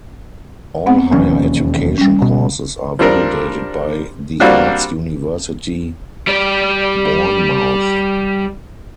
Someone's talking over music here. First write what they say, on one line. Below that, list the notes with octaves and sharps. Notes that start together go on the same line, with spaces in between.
All higher education courses are validated by the Arts University Bournemouth.
B3 C4 F#5
E1 D#2 E3 F3 C#4
G3 C#4
B2
F3 G3 C4 D4 A#4
G3 A#3 C4 D4 F4 F#4
G3 D5